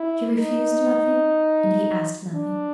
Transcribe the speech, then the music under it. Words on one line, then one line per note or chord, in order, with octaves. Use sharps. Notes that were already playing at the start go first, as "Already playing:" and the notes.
She refused nothing, and he asked nothing.
Already playing: E4
D#4
D4